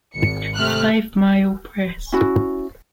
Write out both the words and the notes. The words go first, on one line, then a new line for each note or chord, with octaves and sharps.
Five Mile Press.
G#1 C#7
C3 A3 F6 F#6
C#4 E4 F#4